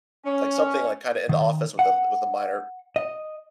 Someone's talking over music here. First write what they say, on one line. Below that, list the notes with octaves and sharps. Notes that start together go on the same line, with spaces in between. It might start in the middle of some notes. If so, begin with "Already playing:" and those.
like, something, like, kinda in the office with a with a minor
C#4
D#3
F#5
D#5